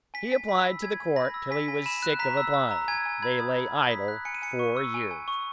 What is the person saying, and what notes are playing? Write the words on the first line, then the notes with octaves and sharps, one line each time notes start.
He applied to the Court till he was sick of applying: they lay idle four years.
G#5 B6
G#5
B5 B6
E6
G#5 G#6
G#5
B5 A#6
E6
G#5 B6
G#5
B5 E7
F#6
A#5 B6
E6
E6
A#5
G#5 G#6
G#5
B5 G#6
D#6
B5
B5
D#6 B6
F#6
G#5 C#7
D#7
G#5 C#7
C#6
E6
G#5
G#5
C#6